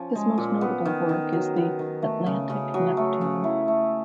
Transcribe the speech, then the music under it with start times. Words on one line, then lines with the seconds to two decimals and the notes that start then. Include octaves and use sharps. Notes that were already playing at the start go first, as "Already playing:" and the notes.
His most notable work is the "Atlantic Neptune".
Already playing: F3 C#4
0.15 G#3
0.38 A#2
0.61 B3
0.85 D#3
1.09 D#3
1.33 F#3
1.56 B3
1.79 D#3
2.02 A3
2.26 C#3
2.50 C#3
2.74 F#3
2.97 A3
3.21 C#3
3.44 E4
3.68 A3